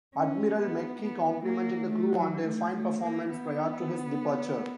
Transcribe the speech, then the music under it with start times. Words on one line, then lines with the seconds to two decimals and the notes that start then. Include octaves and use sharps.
Admiral McKee complimented the crew on their fine performance prior to his departure.
0.16 C#4
0.59 B3
1.02 B3
1.45 A#3
1.88 A3
2.16 F#3
2.45 A3
2.74 A3
3.02 A#3
3.31 B3